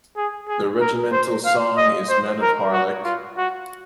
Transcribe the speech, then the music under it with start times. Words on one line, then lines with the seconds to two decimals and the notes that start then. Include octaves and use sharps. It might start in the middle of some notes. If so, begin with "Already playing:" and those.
The regimental song is "Men of Harlech".
0.17 G#4
0.48 G#4
0.81 A#4
1.12 C5
1.45 F5
1.78 D#5
2.09 C5
2.42 A#4
2.73 F#4
3.05 F4
3.38 F#4